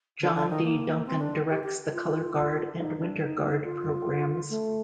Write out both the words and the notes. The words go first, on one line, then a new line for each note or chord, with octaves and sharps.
John D. Duncan directs the color guard and winter guard programs.
D3
D3
D#3
A#3
C4
D4
G4
G4
F4
D#4
D4
D#4
F4
A3